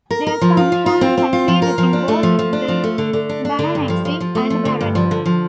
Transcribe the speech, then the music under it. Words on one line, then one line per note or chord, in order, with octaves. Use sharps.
Their son Thomas succeeded in both the baronetcy and barony.
A#4
A#4
F3
F4
F3
F4
C4
C4
F4
F3
A#4
F3
D4
A3
F3
F3
D4
F3
A3
D3
D3
D4
D4
D3
G2
F3
F3
F3
A3
F3
D3
G2
F3
D3
F3